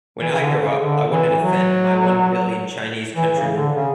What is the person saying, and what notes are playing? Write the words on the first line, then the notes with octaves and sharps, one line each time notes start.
When I grow up, I want to defend my one billion Chinese countrymen!
E3
C#3
D3
C#3
D3
E3
F#3
E3
C#3
D3
C#3